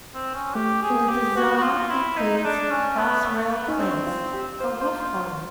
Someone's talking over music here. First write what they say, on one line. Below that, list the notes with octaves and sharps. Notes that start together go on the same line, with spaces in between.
The design includes Crossrail Place, a roof garden.
C4
C#4
A3 G4
G#4
B3
A#3
G4
B3 F#4
F#4
F4
E4
D#4
D#4
D4
C#4
B3
A3
B3
C#4 D#4
C4 D4
F4
G4
F4 C5
C5
C5